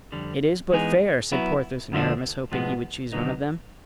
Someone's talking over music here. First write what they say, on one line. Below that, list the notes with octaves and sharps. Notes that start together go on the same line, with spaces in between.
"It is but fair," said Porthos and Aramis, hoping he would choose one of them.
F2 D3 G3
E3 G#3 B3 D#4 G#4
F#3 B3 E4
F2 D3 F3 A3 D4
A2 F3 G#3 B3
D#2 D3 F#3 B3 D#4